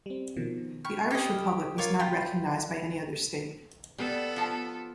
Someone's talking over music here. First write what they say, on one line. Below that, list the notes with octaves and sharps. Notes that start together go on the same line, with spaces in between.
The Irish Republic was not recognised by any other state.
G3 C4
B2 D#3 F3
G5 B5 C#6 F6
G4 D#5
F4 A#4 C#5 D6
F4 G5 A#5 B5
G3 B3 A4
F3 A5